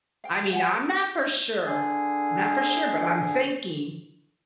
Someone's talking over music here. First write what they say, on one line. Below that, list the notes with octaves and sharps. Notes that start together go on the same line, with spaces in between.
I mean, I'm not for sure. Not for sure, but I'm thinking
F5 G5
F#5 G#5
D3 G#4